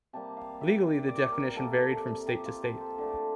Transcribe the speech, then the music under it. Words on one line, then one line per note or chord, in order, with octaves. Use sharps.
Legally the definition varied from state to state.
C3 G3 A#3 A5
F5
E5
D5
D5
A#4
C3 F3 A#3 A4
G4
F4
A4
C5
D3 A3 D5